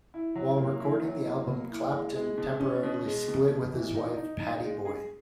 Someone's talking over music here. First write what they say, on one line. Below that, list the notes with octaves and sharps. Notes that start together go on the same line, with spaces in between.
While recording the album Clapton temporarily split with his wife Pattie Boyd.
E4
F#3
A#3
E4
F#3
A#3
A#3
E4
G#3
G#3
B2
C#4
B2
G#3
B2
B2
E3
D#4
D#4
D#4
G#3
G#4